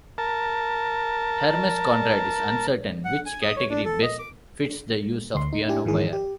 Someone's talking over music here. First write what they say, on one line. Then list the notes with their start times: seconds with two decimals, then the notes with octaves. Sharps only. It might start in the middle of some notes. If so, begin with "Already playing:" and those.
Hermes Conrad is uncertain which category best fits the use of piano wire.
0.18 A#4 A5
3.05 F#5
3.26 G#5
3.42 D#6
3.56 C#5
3.70 D4
3.85 A4
4.03 D#5
4.19 D6
5.34 D2 C6
5.53 D#4
5.68 D4 E4 G4 G#5
5.85 G#2 D#3 E3 G#4
6.13 G4